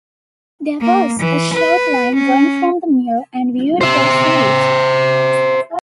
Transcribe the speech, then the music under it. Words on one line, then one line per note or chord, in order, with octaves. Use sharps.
There was a short line going from the mill and we'd go see it.
A#3
E3
B4
C#4
C5 E5